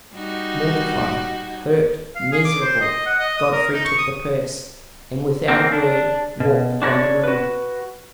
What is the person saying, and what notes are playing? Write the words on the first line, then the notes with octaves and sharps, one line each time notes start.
Mortified, hurt, miserable, Godfrey took the purse, and, without a word, walked from the room.
G3 D#4 F#4
F5
G#4
D6
C5
D#5
F#5
D#5
D#6
A#4
D#4
C#6
D#6
C#3 A#3 C4
D4
B2
D4 F#4 A#4 C#5 D5
F#4 B4